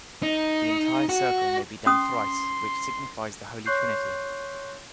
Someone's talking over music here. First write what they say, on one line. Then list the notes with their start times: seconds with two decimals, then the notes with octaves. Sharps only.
The entire circle may be done thrice, which signifies the Holy Trinity.
0.23 D#4
1.09 F#4
1.86 C#4 C6 D#6
3.66 C#5 C6 C#6 F#6 G6 C7